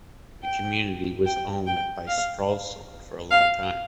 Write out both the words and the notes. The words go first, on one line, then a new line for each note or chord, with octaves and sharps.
The community was owned by Stralsund for a long time.
G5
G5
G5
F5
F5